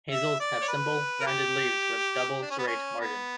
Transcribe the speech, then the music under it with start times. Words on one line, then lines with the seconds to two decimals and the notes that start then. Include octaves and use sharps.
Hazels have simple, rounded leaves with double-serrate margins.
0.11 E5
0.40 D5
0.62 C#5
0.68 B4
1.20 A#4
1.27 G4
2.42 D4
2.51 C#4
2.58 B3
2.67 C#4
3.00 B3